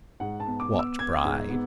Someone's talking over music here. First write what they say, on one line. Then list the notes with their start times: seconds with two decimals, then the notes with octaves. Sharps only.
What bride?
0.20 G#2 F#5
0.40 A5
0.47 B3
0.60 D6
0.72 B3
0.79 E6
0.99 B3 G#6
1.25 G#2
1.50 B3